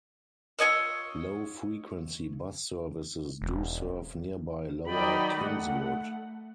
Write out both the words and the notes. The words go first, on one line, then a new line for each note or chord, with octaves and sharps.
Low-frequency bus services do serve nearby Lower Kingswood.
F4 C#5 D#5 E6
E1
D#3 F#3 D5 D#5 G5 B5
A3 F#5